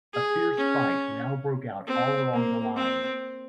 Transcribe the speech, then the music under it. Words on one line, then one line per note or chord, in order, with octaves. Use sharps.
A fierce fight now broke out all along the line.
G#4
C#4
C4
A#3
C4